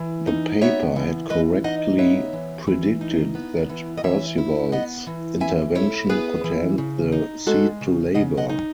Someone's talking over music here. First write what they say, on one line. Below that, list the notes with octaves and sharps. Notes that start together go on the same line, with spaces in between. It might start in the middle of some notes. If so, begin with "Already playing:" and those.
The paper had correctly predicted that Percival's intervention could hand the seat to Labour.
Already playing: E3
D#4
B3 C#5 E5
E3
E3 B4 D#5
D#4 D#5 F#5
B3 C#5 E5
E3
E3
D#4
B3
E3
D#5
E3 C#5 E5
E4
B3 D#5 F#5
E3
E3 E5 G#5
E4 A4 C#5
B3 G#4 B4
E3
C#3
D#4
G#3 F#4 A4
C#3
C#3 D#5 F#5
D#5 F#5
D#4